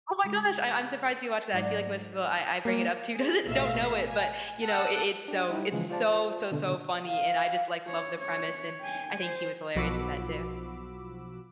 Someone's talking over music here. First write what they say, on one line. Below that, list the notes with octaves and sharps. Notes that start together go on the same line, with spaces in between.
oh my gosh, I I'm surprised you watched that, I feel like most people I I bring it up to doesn't don't know it, but, you know, it it's so it's so, so, so funny, and I just, like, love the premise and I think he was hilarious in that too.
C#3 G#3
G#2 F#3 D5
G3 A#3
G#4
A1 B2 A3 E5 F5 E6
G#5
F#5 A5 E6 F#6
D4 G4
G3 D#4 E4 G4
C#3 E3 F3 G#3
F4 C5 D5 A5
B2 D3
F5
C#5
C#5
G5 G#5
C5
B1 F3 F#4 B5 D6 E6